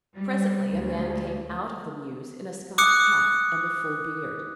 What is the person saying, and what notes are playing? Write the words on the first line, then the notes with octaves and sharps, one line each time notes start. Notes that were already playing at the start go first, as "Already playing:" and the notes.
Presently a man came out of the mews in a Scotch cap and a full beard.
G3
D2
D6 D#6 F#6 C#7